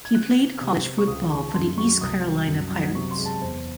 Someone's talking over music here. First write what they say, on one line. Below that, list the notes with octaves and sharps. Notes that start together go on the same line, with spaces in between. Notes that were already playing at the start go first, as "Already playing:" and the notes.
He played college football for the East Carolina Pirates.
G#6
C#3 F#6
C4
C3
C4
C#6
C#2 D#6
D#3 C#6
A5
F#2 C6
F#3 C#6
C2 D#6
F#3
F#2
F#3
C3 C#6
C6
G#3
A5
E2 C5